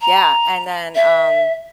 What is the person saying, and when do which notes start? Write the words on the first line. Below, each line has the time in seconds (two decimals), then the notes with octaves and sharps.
Yeah, and then, um
0.01 A#5
0.95 E5